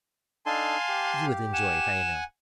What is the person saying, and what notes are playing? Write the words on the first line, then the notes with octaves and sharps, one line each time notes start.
You would enjoy it, I know.
D4 D#4 A4 F5 G#5 A5 C6
G4
F#5 G#5 E7